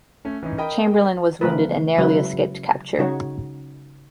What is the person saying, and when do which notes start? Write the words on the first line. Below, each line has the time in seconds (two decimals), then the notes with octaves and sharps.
Chamberlain was wounded and narrowly escaped capture.
0.25 A3 C#4
0.43 E3 C#4 D#4
0.58 A#4 D#5 G5 B5
1.41 C#3 E3 F3 A3 A#4 B4
1.98 C#3 F#3 G#3 E4 F#4 B4
2.99 C#3 D#4 F#4 C#5